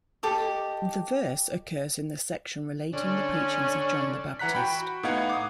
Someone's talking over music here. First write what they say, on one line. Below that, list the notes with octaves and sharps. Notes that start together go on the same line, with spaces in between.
The verse occurs in the section relating the preachings of John the Baptist.
G4 A4 D#5
D3 C#4
E3 F#5 A#5 F#6 B6
F#4 G5 B5
A2 B3 D#4 F5 F#5 G#6
D6 D#6